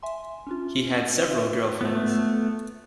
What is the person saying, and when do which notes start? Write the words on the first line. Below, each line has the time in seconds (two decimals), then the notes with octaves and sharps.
He had several girlfriends.
0.03 E5 G#5 C6
0.47 C#4 D4 F4
1.31 F4 B4 E5
1.81 A3 B3 F4